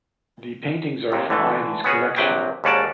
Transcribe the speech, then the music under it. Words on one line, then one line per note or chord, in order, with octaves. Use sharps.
The paintings are from Iveagh's collection.
D#2 C3
D3 E3 A3
B3 C#4 F#4 G#4
A#1 C3 F#3 B4 G5
D#2 G#2 C#4 F#4 D5 A5